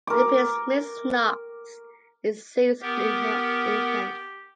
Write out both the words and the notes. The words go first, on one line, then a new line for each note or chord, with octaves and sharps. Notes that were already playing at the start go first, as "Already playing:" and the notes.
It appears Mrs. Knox is serious in her intent.
A#4 D6
B3 G4 A#4